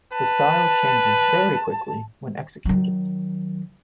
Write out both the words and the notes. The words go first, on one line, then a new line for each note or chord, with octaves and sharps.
The style changes very quickly when executed.
B4 A5
D#3 F#3